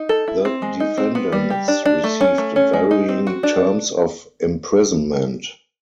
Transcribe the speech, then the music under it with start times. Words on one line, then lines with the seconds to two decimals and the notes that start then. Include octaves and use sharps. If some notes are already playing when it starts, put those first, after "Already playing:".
The defendants received varying terms of imprisonment.
Already playing: D#4
0.09 A4
0.28 E4
0.45 C4
0.62 G#3
0.80 D#4
0.98 C4
1.15 B3
1.32 G3
1.50 G4
1.68 D4
1.86 D4
2.04 A3
2.21 C#4
2.38 A3
2.56 C#4
2.74 G#3
2.91 D#4
3.09 C4
3.27 F#4
3.43 D4